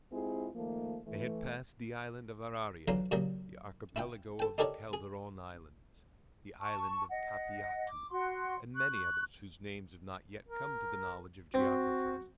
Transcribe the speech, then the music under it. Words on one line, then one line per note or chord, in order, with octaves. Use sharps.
They had passed the island of Araria, the Archipelago of the Calderon islands, the island of Capiatu, and many others whose names have not yet come to the knowledge of geographers.
G#3 C4 E4 F4 G4 G#4
D#3 F3 A3 A#3
E3 A3
E2 D3 F#3 F4 A#5 C6
A#2 C#3 F#3 G3 A#3
E4 F4 G5
A4 G5
D#4 G4 A4 A#4 C#5 D5
G#4
A5 C#6
D#5 F#5
D6
F#4 F#5 C6
C#6 F#6
A#4
C4 F#4